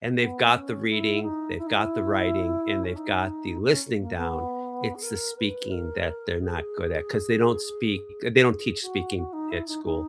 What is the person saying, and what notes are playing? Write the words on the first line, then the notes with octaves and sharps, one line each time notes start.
and they've got the reading, they've got the writing, and they've got the listening down- it's the speaking that they're not good at, 'cause they don't speak uh, they don't teach speaking at school.
B3
C#4
E4
D#4
E4
D#4
E4
C#4
D#4
C#4
A#3
B3
G#4
A#4
B4
A#4
G#4
G#4
F#4
F#4
D#4
E4
D#4
D#4